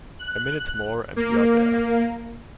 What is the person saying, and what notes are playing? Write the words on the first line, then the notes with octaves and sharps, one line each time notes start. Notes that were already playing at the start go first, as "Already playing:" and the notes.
A minute more and we are there.
F#6
A#3